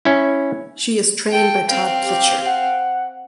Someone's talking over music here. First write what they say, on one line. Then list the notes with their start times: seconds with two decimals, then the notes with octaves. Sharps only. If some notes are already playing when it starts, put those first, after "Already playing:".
She is trained by Todd Pletcher.
0.05 C#4 E4
1.31 A4 G5
1.68 C4 F5 G5
2.04 G4
2.46 F#5